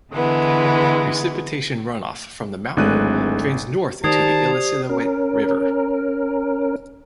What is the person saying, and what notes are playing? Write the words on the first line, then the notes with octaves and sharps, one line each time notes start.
Precipitation runoff from the mountain drains north into the Illecillewaet River.
D3 E3 G#3 B3
D1 G#1 G#3 A3 F#6 D#7
D#3 G4 C5 D5 A5 D#6 G#6 C7
C#4 A#4